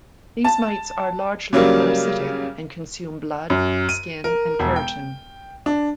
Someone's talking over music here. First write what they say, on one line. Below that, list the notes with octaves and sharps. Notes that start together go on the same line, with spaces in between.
These mites are largely parasitic and consume blood, skin and keratin.
A5
C#3 F#3 G3 A#3
F#2
D#7
A#4
E1
G5
D4